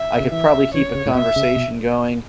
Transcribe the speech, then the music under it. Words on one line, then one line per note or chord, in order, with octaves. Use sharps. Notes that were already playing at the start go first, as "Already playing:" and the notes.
I could probably keep a conversation going,
Already playing: E5
C#3
E3 E5
E3 C#5
C#3
A2
B2 E5
C#3
B2